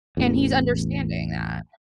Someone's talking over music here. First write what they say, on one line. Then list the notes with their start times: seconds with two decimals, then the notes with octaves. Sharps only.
And he's understanding that.
0.17 A1 E2